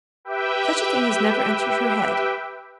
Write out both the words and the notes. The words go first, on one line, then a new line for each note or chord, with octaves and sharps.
Such a thing has never entered her head.'
G4 B4 E5 G5